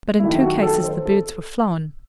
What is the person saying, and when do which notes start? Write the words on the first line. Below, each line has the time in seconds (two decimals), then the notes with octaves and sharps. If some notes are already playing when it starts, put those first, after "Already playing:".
But in two cases the birds were flown.
0.20 D#3 F#3 A3 E4
0.41 F#4
0.62 A4
0.84 C5
1.06 A4